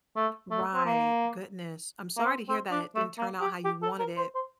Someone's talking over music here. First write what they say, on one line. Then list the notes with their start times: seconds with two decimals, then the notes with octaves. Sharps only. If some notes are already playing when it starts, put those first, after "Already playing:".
Right, goodness, I'm sorry to hear that it didn't turn out how you wanted it.
0.16 A3
0.51 A3
0.75 C4
0.86 A#3
2.17 A#3
2.25 C4
2.49 C4
2.72 D4
2.95 A3
3.18 A#3
3.41 G4
3.65 G4
3.83 A4
3.99 A#4
4.17 C5
4.35 C5